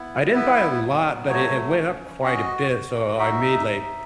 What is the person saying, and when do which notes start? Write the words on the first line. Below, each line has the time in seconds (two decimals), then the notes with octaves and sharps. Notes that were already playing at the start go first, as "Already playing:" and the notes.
I didn't buy a lot, but it it went up quite a bit, so I I made, like,
Already playing: B3 E4
0.34 B3 B4
0.82 F#3
1.29 A3 C#5
1.77 C#4
2.24 F#4 D#5
2.71 F#4
3.19 D#4 E5
3.67 D#4